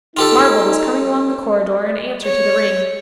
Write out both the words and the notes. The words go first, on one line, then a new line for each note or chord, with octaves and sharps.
Marvel was coming along the corridor in answer to the ring.
D#4 F4 G4 A4
C#5